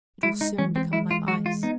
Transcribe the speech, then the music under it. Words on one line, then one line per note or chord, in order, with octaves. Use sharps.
It will soon become like ice.
G#3 E4
D#4
E3 C#4
C4
G#3 E4
F4
G#3 F#4
F4
B3 D#4